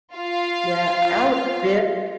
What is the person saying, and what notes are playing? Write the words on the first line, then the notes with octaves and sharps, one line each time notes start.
Yeah, I was very
F4 F5